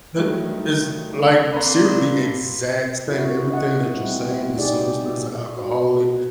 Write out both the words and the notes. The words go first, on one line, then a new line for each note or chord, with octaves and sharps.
the is, like, ser the exact same everything that you're saying, the sister's an alcoholic,
G2 D#3 F#3 A3
A#3 C4 D4 B4 A#5 C6
E4 F#4
D#5 F#5
G3 A3 C4 E4
D#4 G4 G#4 D5
F#4